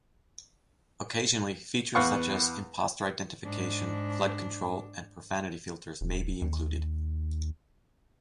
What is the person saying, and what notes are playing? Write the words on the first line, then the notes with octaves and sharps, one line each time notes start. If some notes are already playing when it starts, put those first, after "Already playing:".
Occasionally, features such as impostor identification, flood control, and profanity filters may be included.
E2 B4 F5 F#5 C#6
G#2 D4
D#1
D#2